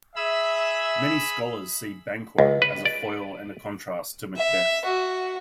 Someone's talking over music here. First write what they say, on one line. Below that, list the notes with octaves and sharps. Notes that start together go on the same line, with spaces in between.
Many scholars see Banquo as a foil and a contrast to Macbeth.
G#4 E5 B5 E6
C#2
B4
D5
E5
F#4